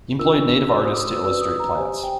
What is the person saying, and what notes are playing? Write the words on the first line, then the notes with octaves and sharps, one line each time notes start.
He employed native artists to illustrate plants.
D4 F4 A#4 E6
F#4 A4 C5 E6
D#6
D6
D#6
E6
F#4 B4 D5 E6
D#6
A#5
G4 C5 G#5
G5